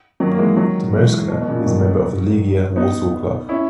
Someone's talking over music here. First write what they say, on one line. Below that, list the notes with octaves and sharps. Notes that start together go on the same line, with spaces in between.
Dmowska is a member of the Legia Warsaw Club.
D#3 F#3
A#3
E3 G#3
D#3 F#3
E3 G#3
B2
B2
A#2 C#3
D#3 F#3
B3 D#4
C#4 E4